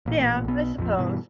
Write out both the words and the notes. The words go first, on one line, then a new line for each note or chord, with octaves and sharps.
Yeah, I suppose.
A1 A#2
B1 B3
A#1 F2 D3 F3
G2 B2 E3